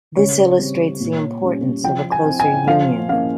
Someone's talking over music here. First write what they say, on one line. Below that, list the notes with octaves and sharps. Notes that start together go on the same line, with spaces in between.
This illustrates the importance of a closer union.
C#3 C#5
G3 C4
A#2
G3 C#4
F3 G5
G#5
C4
G#5
F3 F5
A#3 C#4 F5